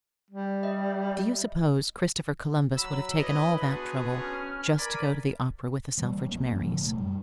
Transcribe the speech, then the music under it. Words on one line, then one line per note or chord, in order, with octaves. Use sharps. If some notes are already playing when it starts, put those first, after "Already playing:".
"Do you suppose Christopher Columbus would have taken all that trouble just to go to the Opera with the Selfridge Merrys?"
G3
D#5 E5
F#3 B5 E6
D4 E4 B4 C#5 D#5
D3 B3 F#4 G#4
C#4 F6
A#4 D5 G#5 B5
E3 G3 A#3
B1 E3 A#3 C4
F#2 A#3 C#4
A2 D3 F3
D1 B2 A3
F#2 G3